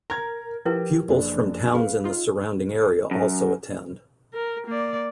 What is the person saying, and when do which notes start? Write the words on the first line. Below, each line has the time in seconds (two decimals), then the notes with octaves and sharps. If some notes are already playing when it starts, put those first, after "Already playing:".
Pupils from towns in the surrounding area also attend.
0.10 A#4 A#5 G#6
0.65 F3 E4 G4 A#4 B4
1.08 F#1 D4
1.74 G#4 B4 F5
2.04 D#4 F4
3.11 F#2
4.33 A#4
4.67 A#3 D5